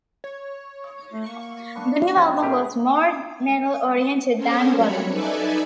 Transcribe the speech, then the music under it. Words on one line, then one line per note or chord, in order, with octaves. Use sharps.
The new album was more metal oriented than "Golem".
C#5
A3
A#3 C#6
B3 D4
G#2 F3 C#4 E5 G5
B2 G4 G#4 A#4 E5 F#5 B5
C#4 A4 A#4 C5 C#5
F#3 G3 C#5 B5 C#7
D#4 A4 B4 D5 E5 G#5